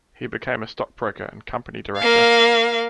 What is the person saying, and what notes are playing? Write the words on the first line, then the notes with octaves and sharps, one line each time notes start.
He became a stockbroker and company director.
A#3 F5